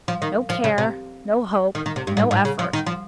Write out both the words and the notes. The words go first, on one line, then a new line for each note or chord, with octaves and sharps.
No care--no hope--no effort.
F3
D#3
F3
C#3
C3
D#3
D#3
C3
G2
G#2
G#2
C#3
F3
D#3
F3